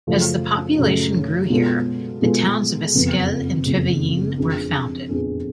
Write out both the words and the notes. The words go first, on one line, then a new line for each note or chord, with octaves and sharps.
As the population grew here, the towns of Esquel and Trevelin were founded.
F#2 C#3 F3 A3
F#2 C#3 F3 A3
B2 G#3 B3 F4 A4
B2 G#3 B3 F4 A4
F#1 F2 F3 B3
F#1 F2 F3 B3
F2 F3 B3 D4 G#4
F2 F3 B3 D4 G#4